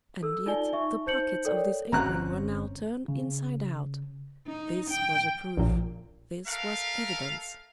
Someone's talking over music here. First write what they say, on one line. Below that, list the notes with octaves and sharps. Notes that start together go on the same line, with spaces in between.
And yet the pockets of this apron were now turned inside out; this was a proof, this was evidence.
A4 E6
D#4 F4 D5 G#5 G7
D#4 E5 C#6
D#4 C5 G6 C#7 F#7
A4 A#4 C#5 D5 G5
G1 C4 C#4 A#5 F#6
C#3
D#4
G5
A#1 A#2
A3 A#4 F5